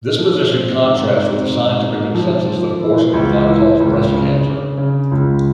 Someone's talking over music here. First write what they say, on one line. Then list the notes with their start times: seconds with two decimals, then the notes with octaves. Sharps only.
This position contrasts with the scientific consensus that abortion does "not" cause breast cancer.
0.19 F3
0.52 C4
0.84 G#2
1.17 C4
1.50 G#2
1.83 G#2
2.15 F3
2.48 F3
2.81 E3
3.13 C#2
3.46 E3
3.80 C#2
4.13 C#3
4.46 C#3
4.78 C#3
5.11 C#2